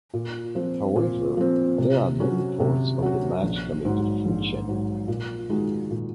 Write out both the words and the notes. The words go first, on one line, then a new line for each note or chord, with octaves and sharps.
However there are no reports of the match coming to fruition.
A#2
F3 C4
A#2
F3 C4
C3
F#3 C#4 F#4
C3
F#3 C#4 F#4
A#1
G#2 F#3
A#1
G#2 F#3
A#2
G#3 D#4 F#4
A#2